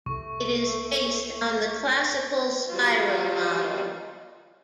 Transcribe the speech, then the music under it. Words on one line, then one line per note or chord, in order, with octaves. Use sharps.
It is based on the classical spiral model.
C2 A3 C#6
F#3 G3 F4